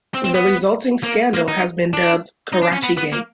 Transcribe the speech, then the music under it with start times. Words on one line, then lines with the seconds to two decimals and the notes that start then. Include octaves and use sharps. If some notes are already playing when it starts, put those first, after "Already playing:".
The resulting scandal has been dubbed "Karachigate".
0.14 C4
0.24 C4
0.34 B3
1.03 A#3
1.34 A#3
1.48 D#4
1.94 D4
2.53 D#4
2.63 D4
2.73 C#4
2.84 B3
2.97 B3
3.13 A#3